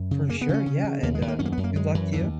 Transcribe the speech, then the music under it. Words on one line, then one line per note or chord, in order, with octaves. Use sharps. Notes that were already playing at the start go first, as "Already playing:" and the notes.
For sure, yeah and, uh, good luck to you.
Already playing: F#2
C#3
C#3 A#3
B3
C#3 C#4
C#3
C#3
D#2 A#3
G#3
D#2
A#3
F#2 C#4
A#3
F#2 B3
A#3
F#2 G#3
F#2 E3
D#2 E3